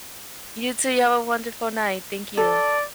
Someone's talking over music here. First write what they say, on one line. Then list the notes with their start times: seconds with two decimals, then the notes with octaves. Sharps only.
You too. You have a wonderful night. Thank you.
2.37 A4 D5